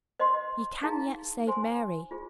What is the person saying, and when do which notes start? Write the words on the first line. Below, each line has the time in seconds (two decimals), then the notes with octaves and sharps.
You can yet save Mary.
0.20 C5 D#5 C6
0.83 D#4 G#4 F5 A#5
1.47 C5 G#5 C6
2.11 F4 G#4 C5